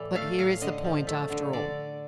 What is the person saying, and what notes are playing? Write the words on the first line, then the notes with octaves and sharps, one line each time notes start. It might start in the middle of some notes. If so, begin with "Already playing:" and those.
But here is the point, after all.
Already playing: A2 E3 D5
A3 F5
A2 F5
D3 D#5
F3
A3
D3
D3 D5